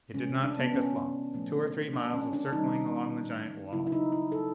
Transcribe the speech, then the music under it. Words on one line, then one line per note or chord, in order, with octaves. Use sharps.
It did not take us long--two or three miles of circling along the giant wall.
C3 E3 G#3 C#4
D4
B3
C#4
A#2 F3 A3
D4
C#4
D4
D#3 G3 A#3 D#4
C#3 F#3 A#3 E4
E4
D#4
E4
A4